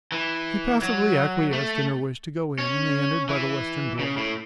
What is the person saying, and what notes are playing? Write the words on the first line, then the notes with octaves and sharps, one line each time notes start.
He passively acquiesced in her wish to go in, and they entered by the western door.
E3
F#3
A3
C#4
E3
C#3
A2